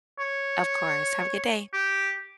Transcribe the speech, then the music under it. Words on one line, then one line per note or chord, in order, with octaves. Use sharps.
Of course. Have a good day.
C#5
G4